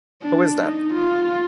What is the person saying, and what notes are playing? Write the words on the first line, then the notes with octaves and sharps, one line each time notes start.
Who is that?
D4
D#4
F4